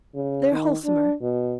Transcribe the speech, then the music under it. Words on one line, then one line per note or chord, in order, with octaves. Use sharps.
They're wholesomer.
C#3
D#3
D4
B2